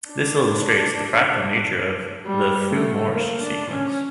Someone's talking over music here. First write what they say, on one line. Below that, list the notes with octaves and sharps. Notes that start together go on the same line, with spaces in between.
This illustrates the fractal nature of the Thue-Morse Sequence.
D4
G3
A3
A#3
D4
C#4